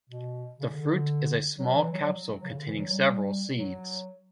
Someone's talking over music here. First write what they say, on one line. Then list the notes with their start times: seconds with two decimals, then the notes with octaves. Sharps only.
The fruit is a small capsule containing several seeds.
0.09 B2
0.59 C#3
0.69 D3
0.81 D3
1.58 F#3
1.75 E3
1.92 F#3
2.08 F#3
2.44 C#3
2.56 D3
2.68 E3
2.80 F#3
2.91 G3
3.57 F#3